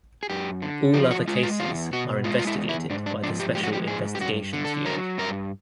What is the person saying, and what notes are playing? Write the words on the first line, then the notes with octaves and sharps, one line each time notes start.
All other cases are investigated by the Special Investigations Unit.
G#4
F#2 G4
D3
F3 G4
F#4
G#3 F4
F4
E2 F4
B2 F#4
G#3 F4
F4
E4
E2
E4
G#2 D4
D4
F3 D4
G4
G#3 G4
F#4
G4
G#2 G#4
G4
G2 F#4
D3
A4
F#3 A#4
G2 A#4